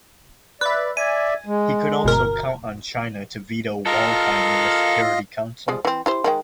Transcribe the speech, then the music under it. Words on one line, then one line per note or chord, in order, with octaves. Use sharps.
He could also count on China to veto Waldheim in the Security Council.
B4 D5 E5
D5 E5 G#5
G#3
G1 B2 A#4
F4 A4 A#4 D#5 F5
F3 G3 G#3
E3 C4
E4 G4 C5
D#3 G#3 G5